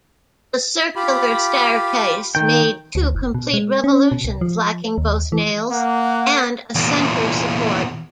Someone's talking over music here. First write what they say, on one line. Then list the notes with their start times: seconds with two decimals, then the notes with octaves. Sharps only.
The circular staircase made two complete revolutions lacking both nails and a center support.
0.96 F4 G4 B5
2.35 D#3 G5
2.95 D2
3.15 F#1
3.35 B2
3.54 G#3
3.84 C#4
4.12 B2
4.25 C2
4.41 F3
4.98 D#2
5.32 E3
5.71 A#3 F#5
6.75 E2 A#2